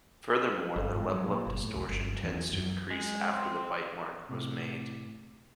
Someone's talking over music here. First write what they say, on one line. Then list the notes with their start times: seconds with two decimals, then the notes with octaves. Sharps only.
Furthermore, the level of distortion tends to increase after the bite mark was made.
0.76 G1
0.96 G#2
1.14 F#3
1.28 A#2
1.47 F#1
1.63 A2
1.75 C#2
1.89 G1
2.23 E2
2.53 F#2
2.91 G#3
3.33 C4
4.29 A2 C3